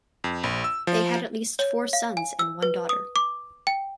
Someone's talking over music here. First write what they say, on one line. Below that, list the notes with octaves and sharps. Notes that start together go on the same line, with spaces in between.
They had at least four sons and one daughter.
F2
A#1
E6
F3
C#5
F5
G#5
E6
B4
D#6
D6
G5